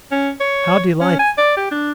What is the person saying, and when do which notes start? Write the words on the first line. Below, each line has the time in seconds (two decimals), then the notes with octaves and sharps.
How delightful!
0.11 C#4
0.40 C#5
1.01 C#4
1.19 G#5
1.38 D5
1.57 G4
1.71 D4